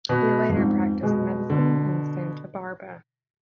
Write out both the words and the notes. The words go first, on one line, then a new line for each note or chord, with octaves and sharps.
He later practiced medicine in Santa Barbara.
B2 B3
G2
F2 G#2
B2 G#3
D3